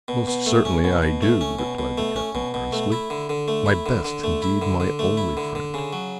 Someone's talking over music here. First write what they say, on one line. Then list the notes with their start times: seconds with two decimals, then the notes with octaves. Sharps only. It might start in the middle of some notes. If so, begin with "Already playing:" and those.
"Most certainly I do," replied the captain, earnestly; "my best, indeed my only friend."
0.08 B2
0.27 B2
0.46 A3
0.65 C#4
0.84 B2
1.02 B2
1.22 A3
1.41 C#4
1.59 B2
1.79 B2
1.98 A3
2.16 C#4
2.35 B2
2.54 B2
2.72 A3
2.92 E4
3.10 D3
3.29 D3
3.48 A3
3.66 E4
3.86 D3
4.05 D3
4.24 A3
4.42 E4
4.62 D3
4.80 D3
4.99 A3
5.17 E4
5.37 D3
5.55 D3
5.74 C#3
5.93 F#3